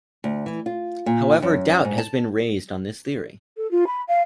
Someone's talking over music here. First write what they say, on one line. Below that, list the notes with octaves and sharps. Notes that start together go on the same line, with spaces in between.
However doubt has been raised on this theory.
D2
E3
F4
A#2
F#2
G#2
A5
A4
F4
B5
F5